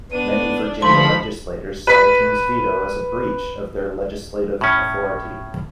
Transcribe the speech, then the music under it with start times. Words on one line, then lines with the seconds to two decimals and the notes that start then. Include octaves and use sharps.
Many Virginia legislators saw the king's veto as a breach of their legislative authority.
0.12 B3 D4 D#7
0.82 D3 F3 A3 A4 B5 C6
1.87 B4 B6
4.61 A2 C#4